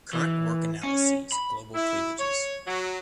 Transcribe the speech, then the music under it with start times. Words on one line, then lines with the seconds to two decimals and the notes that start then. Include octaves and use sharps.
Current work analyses global cleavages.
0.13 E3
0.83 C#4
1.32 B5
1.74 E4
2.19 C#5
2.67 F#3